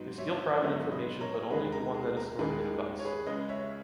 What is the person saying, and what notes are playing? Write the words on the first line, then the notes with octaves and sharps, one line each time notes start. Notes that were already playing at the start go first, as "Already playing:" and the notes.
They steal private information but only the one that is stored in the device.
Already playing: G#2 F#3 B3 D#4
C#5 E5
G#2 F#3 B3 D#4 C#5 E5
B4 D#5
A#4 C#5
D#2 D#3 G#3 D#4 G#4 B4
A#4
G#4
A#4
D#2 D#3 G#3 D#4 G#4 B4
G#4
C#5
G#4 B4
C#2 C#3 G#3 B4 D#5
C#5 E5